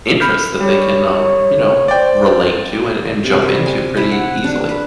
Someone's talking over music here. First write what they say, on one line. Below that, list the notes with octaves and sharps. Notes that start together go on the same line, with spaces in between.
interest that they can, um, you know, relate to and and jump into pretty easily.
B5 F6 G6
G3 C#5
C5 D5 G5
C3
G3
G#5
E4
F#5
D4
B4